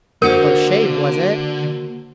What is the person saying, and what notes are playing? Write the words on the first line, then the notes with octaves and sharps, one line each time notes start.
"A close shave, was it?"
D3 A#3 F#4 A#4 C5 F#5 G6